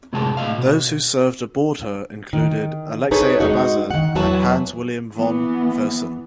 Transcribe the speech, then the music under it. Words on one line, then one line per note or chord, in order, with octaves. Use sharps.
Those who served aboard her included Alexey Abaza and Hans William von Fersen.
F#2 A2 C3 G#3 G#4 A5
A2 D#4 D#5 F5
B2
D#3
D#4 G#4 A4 B4 C#5
G#3 D#4 F#4
D#3 F#5
E2 E3 F#3 F#4 B4 A5
E3 B3